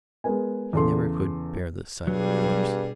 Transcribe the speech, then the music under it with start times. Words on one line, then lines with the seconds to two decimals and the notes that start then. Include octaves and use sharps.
He never could bear the sight of a corpse.
0.24 G#3 B3 A#4 B4 G#5
0.73 E2 C#3 A4 C6
2.07 G2 B2 F#3 G3 G#4